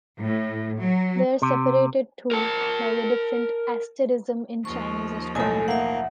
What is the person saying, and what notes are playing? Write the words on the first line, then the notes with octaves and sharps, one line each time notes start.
They are separated too by the different asterism in Chinese astronomy.
A2
F#3
C3
A#4 A5
D#2 F3 C#6
B1 A2 A4 G#5
A#3 E5 F#5